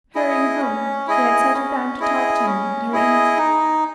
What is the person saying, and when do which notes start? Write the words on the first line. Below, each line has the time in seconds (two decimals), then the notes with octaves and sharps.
Hurrying home she had settled down to talk to him at her ease.
0.15 E4 G#4 D#5
0.61 C#4
1.08 E4 G#4 D#5
1.54 C#4
2.00 E4 G#4 D#5
2.46 C#4
2.92 E4 G#4 D#5
3.38 D#4